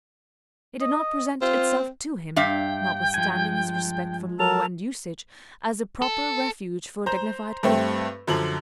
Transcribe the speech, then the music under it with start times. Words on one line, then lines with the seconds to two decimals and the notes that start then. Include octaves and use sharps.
It did not present itself to him, notwithstanding his respect for law and usage, as a proper refuge for dignified grief.
0.81 D#5
1.41 C4 F4
2.36 G2 E5 F5 G5
3.14 F3 G#3 G#5
4.39 A4 A#4 A5 F7
6.02 A4
7.06 C5 A#5 G6
7.63 G2 A3 C4
8.27 F#2 D3 F3 F#7